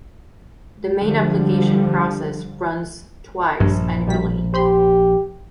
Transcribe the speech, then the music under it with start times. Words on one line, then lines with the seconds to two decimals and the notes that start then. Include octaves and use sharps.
The main application process runs twice annually.
1.00 D3 F3 G3
3.60 A#1 G2
4.07 B2 G3 B6
4.54 G4 C5 B5 C6